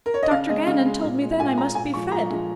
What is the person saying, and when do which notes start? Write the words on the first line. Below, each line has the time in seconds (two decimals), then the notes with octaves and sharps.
Dr. Gannon told me then I must be fed.
0.06 A#4
0.14 C#5
0.23 D#5
0.31 C#3 F5
0.49 G#3 D#5
0.67 C#3 F5
0.85 G#3
1.03 A#2
1.21 G#3
1.40 A#2 G#5
1.58 G#3 A#5
1.75 A#2 G#5
1.94 F3 G#3 C#6
2.12 A#2 A#5
2.30 F3 G#3